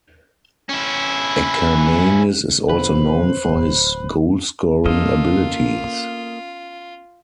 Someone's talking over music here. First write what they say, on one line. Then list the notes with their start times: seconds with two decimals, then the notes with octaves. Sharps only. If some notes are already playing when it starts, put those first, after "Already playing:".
Akermanis is also known for his goalscoring abilities.
0.69 C#4 E4
2.69 B2 D3 F3 B4 C5
3.49 D1
4.86 A#3 B3 C#4 F4 A4 D#5